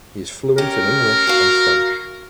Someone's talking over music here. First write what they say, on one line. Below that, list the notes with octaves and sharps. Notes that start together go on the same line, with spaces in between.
He is fluent in English and French.
C#4 G4 A#4
F#4 F5